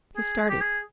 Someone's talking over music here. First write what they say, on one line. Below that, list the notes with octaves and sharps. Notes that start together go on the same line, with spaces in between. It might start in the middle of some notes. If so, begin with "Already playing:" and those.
He started.
G#4
G4
G#4